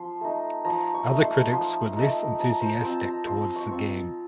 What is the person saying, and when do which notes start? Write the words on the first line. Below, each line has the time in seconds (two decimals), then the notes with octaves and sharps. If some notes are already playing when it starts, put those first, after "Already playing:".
Other critics were less enthusiastic towards the game.
Already playing: F3 C6
0.21 A3 D#4
0.65 F3 A#5
0.94 C#6
1.09 A3 D#4
1.23 C6
1.52 F3 C6
1.96 A3 D#4
2.39 F3 A#5
2.61 C5
2.83 C4 F4 A5
3.05 A#5
3.27 F3 C6
3.56 C#6
3.71 C4 F4